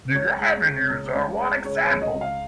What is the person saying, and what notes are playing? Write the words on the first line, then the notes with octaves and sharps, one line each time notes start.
The Avenues are one example.
C#2 C#5
G#3
C#3
C#2
C#2
G#3
C#3 C#5
C#5
C#2
D#5
C#2
F5